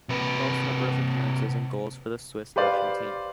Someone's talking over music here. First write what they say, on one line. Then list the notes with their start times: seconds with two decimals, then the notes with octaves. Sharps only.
Most number of appearances and goals for the Swiss national team.
0.09 C3 B4
2.56 G4 B4 C5 D5 F5